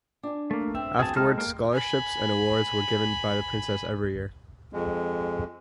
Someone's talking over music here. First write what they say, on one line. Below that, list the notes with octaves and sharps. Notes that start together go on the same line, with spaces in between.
Afterwards scholarships and awards were given by the Princess every year.
D4 G#5
A3 A#3
C4 E5
D2 G2 C4 G#4 A5
G#3 D#4 G4 A4 A5 F6
A#3 A#4 G5
G#5 B5
F2 G#3